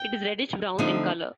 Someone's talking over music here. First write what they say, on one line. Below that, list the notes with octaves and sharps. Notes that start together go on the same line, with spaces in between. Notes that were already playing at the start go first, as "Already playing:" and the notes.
It is reddish-brown in color.
Already playing: G5
D3 F3 A3 C4 D#4